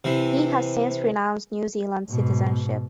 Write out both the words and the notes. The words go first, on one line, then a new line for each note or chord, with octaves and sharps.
He has since renounced New Zealand citizenship.
C3 E3
G#2 B2